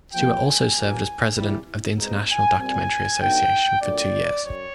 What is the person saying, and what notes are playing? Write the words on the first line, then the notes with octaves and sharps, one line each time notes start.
Stuart also served as president of the International Documentary Association for two years.
C3 F3 A#3 G5
G#5
E2 B2 F#3 A#3
E2 C3 E3 G3
B2 G#3 C4 D#4
G#5
A#2 G3 C4 G#5
F#2 D3 F#3 B3 D#4 G5
A#2 F#3 A3 D4 D5
F#2 C#5